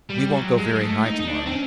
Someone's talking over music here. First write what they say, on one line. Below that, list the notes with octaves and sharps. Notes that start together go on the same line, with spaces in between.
We won't go very high to-morrow.
G3
F#3
G#3
A3
D#4
D#4
D4
C4
C#4